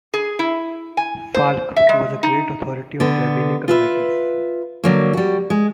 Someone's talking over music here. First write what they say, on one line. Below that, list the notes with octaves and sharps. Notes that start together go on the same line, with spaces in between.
Falk was a great authority on rabbinical matters.
G#4
E4
G#5
C5
E5
G#3
D#4
D3 B3
F4 B4 E5
D3 F#3 A#3
G3 F#4
G#3